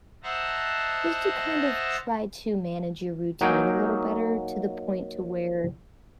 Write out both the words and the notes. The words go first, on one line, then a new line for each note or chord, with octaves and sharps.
just to kind of try to manage your routine a little better to the point to where
C5 D#5 E5 F#5 A5 A#5
F#3 A#3 D#4 G5 G#5